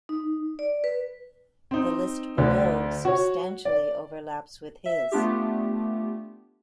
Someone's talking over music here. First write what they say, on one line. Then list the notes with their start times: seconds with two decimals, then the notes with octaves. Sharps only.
The list below substantially overlaps with his.
0.09 D#4
0.59 D5
0.84 B4
1.71 C4 D#4
2.38 D2 D3
3.05 F#4 C#5
3.65 D5
4.86 E5
5.12 A3 B3 D4 F4 G4